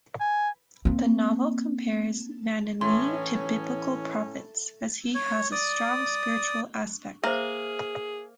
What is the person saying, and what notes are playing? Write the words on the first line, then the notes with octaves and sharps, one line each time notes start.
The novel compares Vanamee to biblical prophets, as he has a strong spiritual aspect.
G#5
A#3 C4
A2 E3 C#4 C6
C#5
D5 D#6
A#3 G#4 C5 E5